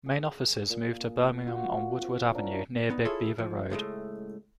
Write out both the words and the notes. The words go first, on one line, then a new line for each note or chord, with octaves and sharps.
Main offices moved to Birmingham on Woodward Avenue near Big Beaver Road.
G#4
A#2
F4 F#4
C4
C#4 D4 E4 A#4
A#2 B3 D#4
E4 F4 G#4 A4 C#5
F3
C#2 A2 G#3 A3